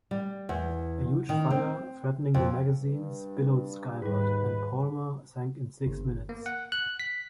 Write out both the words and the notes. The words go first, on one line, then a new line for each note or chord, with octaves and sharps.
A huge fire, threatening the magazines, billowed skyward, and "Palmer" sank in six minutes.
G3
E2
D#3
C4
F2
G2
D#2 G#2 G3 B4
G1
A#3
F#5
F#6
B6